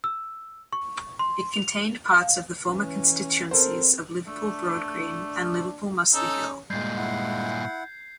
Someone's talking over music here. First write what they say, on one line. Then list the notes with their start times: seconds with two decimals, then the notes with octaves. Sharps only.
It contained parts of the former constituencies of Liverpool Broadgreen and Liverpool Mossley Hill.
0.04 E6
0.73 C#6
1.19 C6
1.54 F7
2.12 F5
2.66 E3 C#4
3.51 C4 A4 A#4 C5
4.27 A3 D4
6.14 C#4 D#4 A4 E6
6.70 G2 A#2 G#3 G6 G#6 C7
6.98 E4 F#5